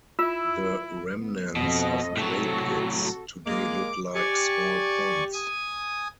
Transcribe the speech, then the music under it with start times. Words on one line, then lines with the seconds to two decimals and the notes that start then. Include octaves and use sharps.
The remnants of clay pits today look like small ponds.
0.19 E4 F4 E6
1.20 B3
1.56 F2 B2 A4 D#5
2.17 A2 C3 F#3 F#4 A4
3.45 G#3 A#3 D6
4.14 G4 D5 G#5 C#6
5.34 G#5 D#6